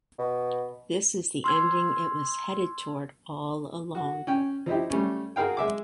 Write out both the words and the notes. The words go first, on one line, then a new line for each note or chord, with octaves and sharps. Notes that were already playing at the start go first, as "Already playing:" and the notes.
This is the ending it was headed toward all along.
B2
C6 E6 F6 G#6
F#4
C#4 G5
F3 D#4 E4 G4
G3 A3 C#4
F#4 G#4 A#4 F5 G5
G#3 E5 D6